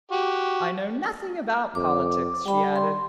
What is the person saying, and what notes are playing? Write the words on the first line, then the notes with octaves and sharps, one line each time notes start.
"I know nothing about politics," she added.
F#4 G4
F2 D6
G3 G5 B5
C6